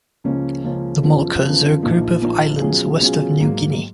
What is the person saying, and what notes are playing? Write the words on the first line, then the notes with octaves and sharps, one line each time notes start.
The Moluccas are a group of islands west of New Guinea.
C#2 C#3 F3 A#3 C#4
C#2 C#3 F3 A#3 C#4
F#2 C#3 F3 B3 F4
F#2 C#3 F3 B3 F4
A#1 A#2 F3 A#3 D#4
A#1 A#2 F3 A#3 D#4
B2 F#3 C#4 F4 G#4
B2 F#3 C#4 F4 G#4
G#2 F#3 A#3